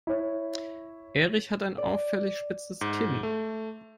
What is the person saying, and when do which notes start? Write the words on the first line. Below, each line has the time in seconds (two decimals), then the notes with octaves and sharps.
Erich hat ein auffällig spitzes Kinn.
0.07 E4 C#5
1.78 D5
2.81 G#2
3.23 A3